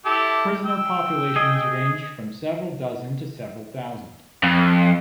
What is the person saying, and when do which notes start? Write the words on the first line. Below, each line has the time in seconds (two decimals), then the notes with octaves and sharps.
Prisoner populations ranged from several dozen to several thousand.
0.05 E4 G4 A4
0.65 G5 E6
1.36 G#4 D#5
4.43 F2